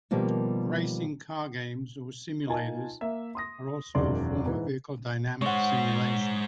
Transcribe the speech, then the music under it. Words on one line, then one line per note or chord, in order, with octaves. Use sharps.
Racing car games or simulators are also a form of vehicle dynamics simulation.
B2 D#3 F3 G3 A#3
D#4 F4 A#4 G#5 A5
A#3 E5
C6 D#6 A#6
E1 F#2 D#3 G#3 D5 C6
G#2 E3
G#3 C5 C#5 F#5